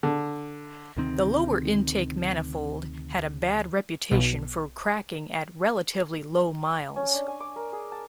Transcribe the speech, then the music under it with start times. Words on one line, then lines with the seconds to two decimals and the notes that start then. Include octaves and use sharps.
The lower-intake manifold had a bad reputation for cracking at relatively low miles.
0.03 D3
0.97 D2 C3 D#3 C4
4.11 B1 B2
6.96 C#4
7.14 D4
7.27 G#5
7.40 D6
7.56 A#4
7.72 G#4
7.92 A5